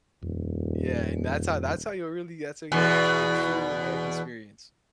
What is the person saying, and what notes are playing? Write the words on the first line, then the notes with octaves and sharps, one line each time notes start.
Yeah, and that's how that's how you really that's how you get to get the true American experience.
D#1 F2
E2 B2